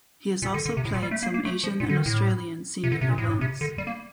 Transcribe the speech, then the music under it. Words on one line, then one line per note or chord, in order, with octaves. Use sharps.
He has also played some Asian and Australian senior events.
A#2
D3
D3
C3
A2
A#2
G3
A3
A#3
A#3
A3
F3
A#2
D3
D#3
A2
C3
D3
C3
A#2
A2
G2
A2
C3
D3
G3
A#3